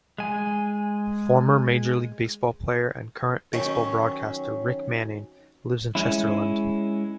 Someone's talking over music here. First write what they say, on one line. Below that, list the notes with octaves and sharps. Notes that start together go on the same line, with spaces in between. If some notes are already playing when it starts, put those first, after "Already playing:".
Former Major League Baseball player and current baseball broadcaster Rick Manning lives in Chesterland.
G#3 G#5
D#3 F#3 C4 C#4
G#3 C#4 E4